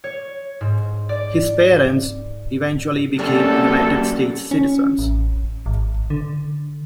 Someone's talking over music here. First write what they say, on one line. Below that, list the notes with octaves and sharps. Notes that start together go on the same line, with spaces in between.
His parents eventually became United States citizens.
C#5
G#2
D5
F#2 G3 A#3 C#4 D4 F#4 G4 A4
C#4
A1
G#1
D3